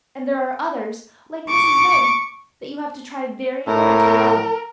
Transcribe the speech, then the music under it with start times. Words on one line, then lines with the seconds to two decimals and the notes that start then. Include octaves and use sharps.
And there are others, like Mrs. Lynde, that you have to try very hard to love.
1.49 C#6 D6
3.67 A2 A#4